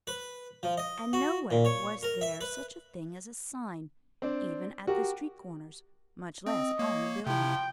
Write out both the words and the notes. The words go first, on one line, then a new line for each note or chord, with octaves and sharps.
And nowhere was there such a thing as a sign, even at the street corners, much less on a building.
B4
F3
D#5
F#4
A#2
C#5
A#4
E5
B4
C4 D4
F#4 G4 A#4
C4 D#5
A#3 C#5
C3 F3 E4 G5